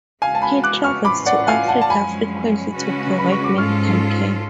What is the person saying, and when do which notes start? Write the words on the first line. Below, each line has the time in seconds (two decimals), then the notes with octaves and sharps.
He travels to Africa frequently to provide medical care.
0.22 C#3 G#3 B3 F#4 F5 G#5
0.35 A5
0.42 G#5 B5
0.64 D6 F#6
0.84 C#6 F6
1.05 A2 G#3 C#4 F4 B4 B5 D6
1.26 D5 F#5
1.48 F5 G#5
1.68 F#5 A5
1.82 A5
1.89 F#2 F3 G#3 C#4 G#5 B5
2.74 C#3 G#3 C#4 F#4 B4
3.19 B5
3.32 C#6
3.44 D6
3.57 G#2 G#3 C#4 F4 A4 C#6 F6